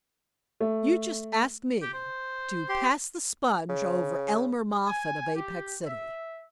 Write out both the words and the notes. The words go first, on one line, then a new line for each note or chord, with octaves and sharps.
You just ask me to pass the sponge over Elmer Moffatt of Apex City?
A3
G4
C5
G4 C6
C#3
G#5
G4
E5